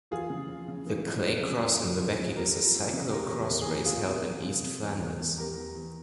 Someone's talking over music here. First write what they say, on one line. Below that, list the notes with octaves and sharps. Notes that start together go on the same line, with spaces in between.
The Clay Cross in Lebbeke is a cyclo-cross race held in East Flanders.
E3 F4 G#4
C#3
F2
C#3
E3
F2
F2
C#3
F2
F2
F2
F2
F2 G4 A#4
F2
F2
C#3
C3 G4 A#4
E2
E2 A#4
G#4
E2 G4
E2 F4 G#4
C3
E2
C3
C3
E2
E2
E2
E2 G4 A#4
E2
E2